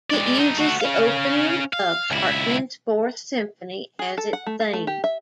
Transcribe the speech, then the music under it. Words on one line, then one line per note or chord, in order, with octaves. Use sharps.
It uses the opening of Hartmann's Fourth Symphony as its theme.
G#3 D5
D#4 A4
A3 F#4
C#4 F5
F5
C#2 E4
G#4
A4
F#5
A3
F5
A3
G4
E5